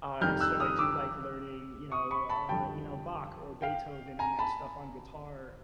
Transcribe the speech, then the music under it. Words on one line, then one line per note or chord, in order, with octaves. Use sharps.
Uh, and so, I do like learning, you know, uh, you know, Bach or Beethoven and that stuff on guitar.
F2 C3 D#3 G3 F6 G6
E6 F#6
D#6 F6
D6 E6
C#6 D#6
B5 C#6
A5 B5
F2 D3 G3 G5 A5
F5 G5
G#5 A#5
A5 B5